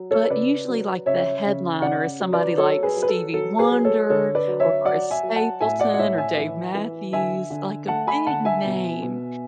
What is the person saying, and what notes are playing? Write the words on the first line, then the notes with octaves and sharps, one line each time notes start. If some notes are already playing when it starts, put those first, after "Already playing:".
but usually, like, the headliner is somebody like Stevie Wonder, or Chris Stapleton, or Dave Matthews, like, a big name,
Already playing: F#3
A4 C#5
C#3 B4 D5
F#3
C#3 C#5 E5
C#3
C#3 D5 F#5
F#3
B4 D5
F#3 A4 C#5
G#4 B4
F#3
B4
A4
F#3 A4
G#4 B4
F#3
A4 C#5
D3 A4 C#5
B4 D5
F#3
C#5 E5
F#3 D5 F#5
E5 G#5
F#3
F#5 A5
A2 E5 G#5
D5 F#5
F#5
A2 C#5 E5
E5 G#5
E3
E3
D3 E5 G#5
D3
A3 F#5 A5
G#5 B5
D3 F#5 A5
E5 G#5
B2
B2